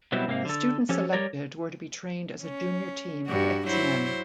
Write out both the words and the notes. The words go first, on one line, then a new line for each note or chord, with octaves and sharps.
The students selected were to be trained as a junior team of X-Men.
B2 F#3 G3 B3 C4 E4
G#2 C3 A#3 C4 F5
D3 A4
F3 C#4 G4 A4 C#5
G3 G4 A#4 C#5 D5
C#4
G2 F#4
F#3 E4 C5